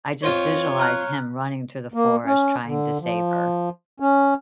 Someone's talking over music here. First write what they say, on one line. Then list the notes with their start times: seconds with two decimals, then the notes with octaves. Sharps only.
I just visualize him running through the forest trying to save her.
0.23 F2 F4 C5 C#5
0.79 A#5 F6 F#6
1.94 A#3
2.26 C#4
2.66 D3
3.01 F3
4.00 C#4